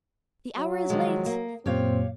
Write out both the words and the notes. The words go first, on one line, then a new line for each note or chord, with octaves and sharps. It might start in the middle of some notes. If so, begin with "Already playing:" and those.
"The hour is late!"
F#3
D#3 F3 G#3
A#3
F#2 A#2 C4 G4 C#5 F5